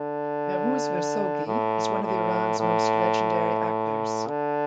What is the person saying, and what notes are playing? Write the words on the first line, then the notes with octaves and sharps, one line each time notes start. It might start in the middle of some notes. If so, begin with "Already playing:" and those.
Behrouz Vossoughi is one of Iran's most legendary actors.
Already playing: D3
A2
A2
A2
D3